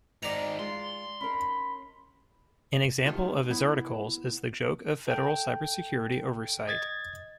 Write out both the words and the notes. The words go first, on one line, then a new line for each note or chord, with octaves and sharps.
An example of his articles is "The Joke of Federal Cybersecurity Oversight".
G#2 D#3 D5 A#5
G#3 F4 C6
C#4 D#4 A#4 B5
G#3 A3 D#4 F4 G4
B3 E4
A4 G5
D#5 G#6 A6